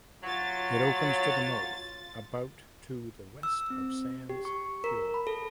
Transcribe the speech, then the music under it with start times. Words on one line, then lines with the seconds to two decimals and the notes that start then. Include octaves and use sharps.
It opens to the north about to the west of Sands Fjord.
0.23 F#3 F4 A6
3.43 E6
3.70 C4
4.29 G4
4.45 C#6
4.84 A#4
5.14 B5
5.27 A4